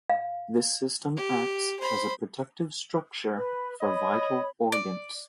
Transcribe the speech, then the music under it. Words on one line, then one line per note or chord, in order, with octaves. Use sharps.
This system acts as a protective structure for vital organs.
F5
G4
C5 B5
B4 B5
C#5 D#5 B5
D5